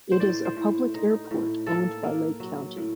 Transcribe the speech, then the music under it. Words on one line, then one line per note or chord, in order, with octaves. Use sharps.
It is a public airport owned by Lake County.
C5
A2 D5
C5
A2
D#4
A2
A#3 A4
A#3
F#3
A2